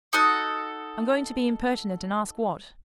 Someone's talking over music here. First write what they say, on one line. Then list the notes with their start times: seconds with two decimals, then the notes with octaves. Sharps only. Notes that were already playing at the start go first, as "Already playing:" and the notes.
I'm going to be impertinent and ask what.
0.13 D#4 F#4 A4 F#5